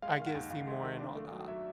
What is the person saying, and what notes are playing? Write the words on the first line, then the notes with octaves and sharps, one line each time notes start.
I get see more and all that."
G#3 F5
D#3 F5
F#5
D#2
D#2 F5
G#3
D#3
D4
A3
F#3
F#3 E5